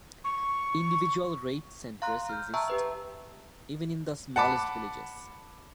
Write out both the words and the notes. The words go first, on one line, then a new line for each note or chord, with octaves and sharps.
Individual rate centres exist even in the smallest villages.
C#6
F5 A#5 C6 F#6
F6 G6
E5 G5 A5 A#5 C#6 E6
G4 B4 E5
F#5 A5 B5 D6